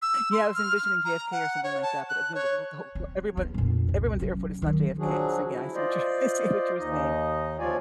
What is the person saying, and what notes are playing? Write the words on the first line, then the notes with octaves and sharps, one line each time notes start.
Yeah, I was envisioning JFK or something like that, but at the end of b th ho everyone everyone's airport is not JFK, so, yeah, I see what you're I see what you're saying.
E6
C6
F6
F6
A#5
F#5
C#5
A5
F#6
C#5
C4
B3
A#1 F2
C2
F#3 C#4
D#3 F#3
F3 F#3 D4 F#4 G#4
E4
F4 C5 D5 D#5
D#2 D#4 D#5
D2 F3 F4 C#5 D5 G#5